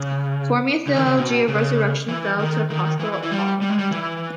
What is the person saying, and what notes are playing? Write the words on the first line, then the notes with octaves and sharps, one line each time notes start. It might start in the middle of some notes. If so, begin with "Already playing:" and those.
Forming a theology of the resurrection fell to Apostle Paul.
Already playing: C#3
C#3
D#3
C#3
B2
C#3
E3
D#3
D#3
E3
E3
G3
G3
G#3
G3
E3